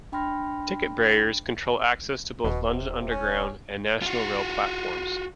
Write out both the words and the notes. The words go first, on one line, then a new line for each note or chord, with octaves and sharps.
Ticket barriers control access to both London Underground and National Rail platforms.
D4 G5 B5 C6 F6 A#6
D#1 B2
C3
C#4
F4 F#4